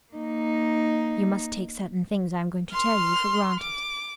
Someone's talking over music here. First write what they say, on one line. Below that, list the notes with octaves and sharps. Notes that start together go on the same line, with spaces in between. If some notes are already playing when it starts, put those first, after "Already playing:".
You must take certain things I am going to tell you for granted.
A#3 D#4
C6 F6
D6